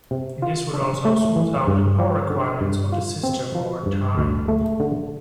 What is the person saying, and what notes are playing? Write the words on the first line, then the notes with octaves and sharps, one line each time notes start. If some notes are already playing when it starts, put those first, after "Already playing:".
This would also smooth out the power requirements of the system over time.
C3
F4
D4
A3
E3
G2
F3
D3
G2
F4
C4
F3
G2
D2
A3
D3